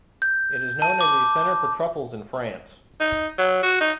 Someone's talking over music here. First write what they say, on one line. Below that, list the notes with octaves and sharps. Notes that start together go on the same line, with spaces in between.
It is known as a centre for truffles in France.
G6
A5
D6
D#4
F#3
F#4
D#4